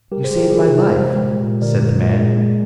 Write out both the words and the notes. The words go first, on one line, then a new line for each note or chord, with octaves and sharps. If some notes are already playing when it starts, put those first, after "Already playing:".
"You saved my life," said the man.
G3 G4 A#4
G#4 C5
G3
G4 A#4
G3 F4 G#4
C3 A#4
C5
G#3
G4 A#4
G#3
A#2
A#2
D3 A#4 D5
G#3
A#2
G#3
G#3